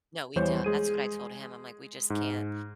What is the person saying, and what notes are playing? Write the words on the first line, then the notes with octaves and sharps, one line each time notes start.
No, we don't. That's what I told him. I'm like, "We just can't
E2 E3 G3 C5 C#5 G6
G#3 G#4 D#7
G#2